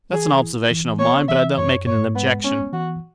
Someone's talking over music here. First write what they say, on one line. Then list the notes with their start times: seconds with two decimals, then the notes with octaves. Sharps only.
That's an observation of mine, but I don't make it an objection.
0.12 E3 G#4
0.42 E4
0.71 E3
0.99 B3 C#5
1.28 E3 E5
1.57 F#2 C#5
1.86 G#2 C#5
2.15 G#3 B3
2.44 B3 C#4
2.73 E3 F#4